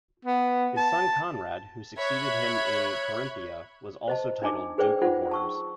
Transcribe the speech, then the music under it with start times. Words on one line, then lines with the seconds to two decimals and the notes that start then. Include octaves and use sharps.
His son, Conrad, who succeeded him in Carinthia, was also titled "duke of Worms".
0.25 B3
0.77 A5
1.98 C#5 E5 B5 F#6 G#6
4.08 C5 D#5 A5
4.42 D4 D#4 G#5 A5 D6
4.78 G#4 B4 C5 D5 G5
5.02 D#4 F4 C5 F#5
5.31 A5 C#6 E6